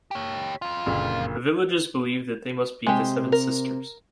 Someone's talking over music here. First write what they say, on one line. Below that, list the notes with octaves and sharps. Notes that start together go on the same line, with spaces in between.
The villages believed that they must be the seven sisters.
G4 C#5
F2 F4
F#1 A#2 D3
C3 G#3 G4
A#4